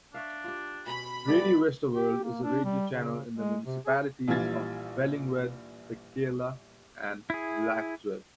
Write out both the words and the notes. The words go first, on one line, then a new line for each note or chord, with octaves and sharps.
Radio Westerwolde is a radio channel in the municipalities of Bellingwedde, Pekela, and Vlagtwedde.
D4 C#5 E5 F5
F4 G4
B2 C#4 B5
E3 G3 B3 A4 D5
G4
A#3
D4
G3
C#3
G#3
C3
G#4
A#1 E3 G3 F4 G#6 A6
E4 G#4